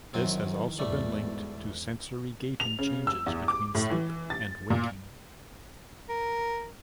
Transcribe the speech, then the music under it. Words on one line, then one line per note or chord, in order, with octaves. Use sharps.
This has also been linked to sensory gating changes between sleep and waking.
F#2 D#3 E3 C4
E2 G#2 B2 G3 A3
F7
C#3
E6
E2
D6
A2
E3
A6
A#2
A#4